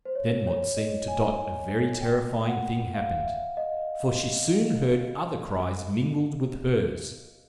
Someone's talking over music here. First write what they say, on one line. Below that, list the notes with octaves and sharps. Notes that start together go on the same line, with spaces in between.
Then what seemed to Dot a very terrifying thing happened; for she soon heard other cries mingle with hers.
C5
C#5
C#5
D#5
G#5
G5
F#5
F5
E5
D#5